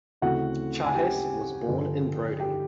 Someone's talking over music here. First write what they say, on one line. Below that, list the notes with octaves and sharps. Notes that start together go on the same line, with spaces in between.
Chajes was born in Brody.
D2 C#3 E3 A3 C4 F#4 F#5
G#5
G4 G5
G2 D3 F3
G4 G5